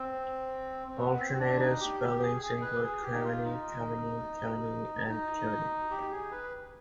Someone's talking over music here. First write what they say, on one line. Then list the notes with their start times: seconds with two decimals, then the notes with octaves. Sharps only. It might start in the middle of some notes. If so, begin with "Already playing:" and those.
Alternative spellings include Keaveny, Keveney, Keavney, and Kiveney.
Already playing: C4
0.88 C4
0.98 B3
1.18 C4
1.33 C4
1.39 D4
1.59 D#4
1.80 G4
2.00 G4
2.21 G#4
2.41 G#4
2.61 B4
2.82 G#4
3.03 G4
3.14 D#4
3.24 F4
3.45 D#4
5.09 D#4
5.91 G4
6.11 G#4
6.31 B4